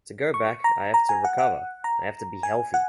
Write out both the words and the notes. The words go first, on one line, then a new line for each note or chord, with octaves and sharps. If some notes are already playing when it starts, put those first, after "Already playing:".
To go back, I have to recover, I have to be healthy.
C#6
A#5
A#5
G#5
F#5
F#5
A#5
G#5
F#5